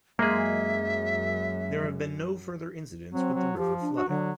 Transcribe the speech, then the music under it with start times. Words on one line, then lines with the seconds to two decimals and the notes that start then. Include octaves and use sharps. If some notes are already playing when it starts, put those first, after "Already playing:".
There have been no further incidents with the river flooding.
0.19 F#2 G#3 A#3 G#4 E5
3.13 F#3 C4
3.34 F#3
3.57 F3 G4
3.81 D4
3.97 F#4
4.09 D3 F#3